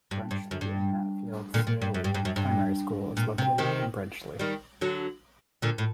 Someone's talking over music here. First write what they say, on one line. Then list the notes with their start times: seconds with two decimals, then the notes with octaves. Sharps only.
Brenchley and Matfield CoE primary school is located in Brenchley.
0.11 G2
0.31 G2
0.51 F#2
0.61 G2
1.54 A#2 D3
1.67 A#2
1.82 G2
1.94 F#2
2.04 G2
2.14 G2
2.25 F#2
2.36 G2
3.17 A#2
3.38 C3
3.58 C3 D#3
4.39 D#3 G3
4.81 D3 F#3
5.62 A#2 D3
5.78 A2